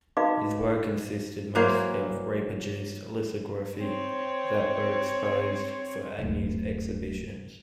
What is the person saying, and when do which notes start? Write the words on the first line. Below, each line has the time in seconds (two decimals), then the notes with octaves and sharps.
His work consisted mostly of reproduced lithography that were exposed for Agnew's exhibitions.
0.17 D#4 F#4 B4 D#5 F5 D6
1.55 E3 F#3 A#3 C5
3.79 C4 C#5
6.18 D1 F#2